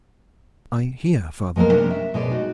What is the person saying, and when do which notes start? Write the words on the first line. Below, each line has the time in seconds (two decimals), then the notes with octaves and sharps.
"I hear, father."
1.56 F3 G#3 A#3 B3 A#4
1.70 C3 C#4 D4 A#4
1.90 E5
2.14 B2 G#3 C#5 D5
2.31 D#4 F#4